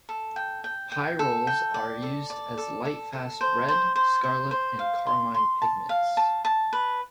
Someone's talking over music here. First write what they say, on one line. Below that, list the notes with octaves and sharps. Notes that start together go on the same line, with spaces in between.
Pyrroles are used as lightfast red, scarlet, and carmine pigments.
A4
G5
G5
G5
A4
G5
D5
A4
D5
A4
A4
A4
C5
C5
C5
C5
C5
F5
C6
C6
A5
F5
A5
A5
B4